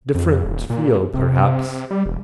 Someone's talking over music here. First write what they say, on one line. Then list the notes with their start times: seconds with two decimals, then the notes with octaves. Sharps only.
Different feel perhaps.
0.15 F2
0.45 D#1
0.70 A#2
1.14 C3
1.91 G3
2.06 E1